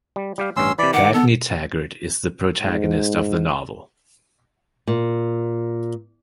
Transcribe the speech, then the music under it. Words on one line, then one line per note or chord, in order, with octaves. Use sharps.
Dagny Taggart is the protagonist of the novel.
G3
G3 G4 F5
A1 G2 C#4 C6 E6
C3 E3 D5 B5
D#3 F#5 D6
B3 A4
G#2
A#2